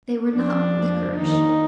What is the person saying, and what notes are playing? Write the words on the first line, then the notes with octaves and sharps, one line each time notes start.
They were not liquorice.
F2 F3 D4
F2 F3
D#2 D#3 D#4